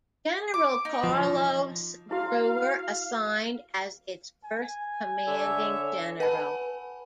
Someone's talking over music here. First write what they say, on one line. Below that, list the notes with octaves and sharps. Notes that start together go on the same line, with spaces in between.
General Carlos Brewer assigned as its first commanding general.
D6
D#4
F3
E4 F#4 F5
G#5
D3 C#5 E5
B4 F#5 G#5 A5 B5